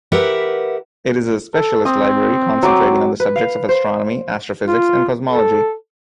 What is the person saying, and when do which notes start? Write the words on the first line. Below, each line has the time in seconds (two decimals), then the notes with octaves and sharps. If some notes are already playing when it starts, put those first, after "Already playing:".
It is a specialist library concentrating on the subjects of astronomy, astrophysics and cosmology.
0.12 G4 A#4 B4 E5 F#5
1.54 A4
1.85 C4 D#6
2.63 F#3 D6
3.20 B4
3.36 F5
3.69 C5
4.67 F4
5.28 A4